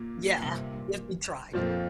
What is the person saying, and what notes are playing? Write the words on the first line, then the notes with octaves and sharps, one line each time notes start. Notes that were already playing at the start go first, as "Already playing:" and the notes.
Yeah, if you tried.
Already playing: A#2 A#3
G2 C3
F2 A#2 F3 C4 F4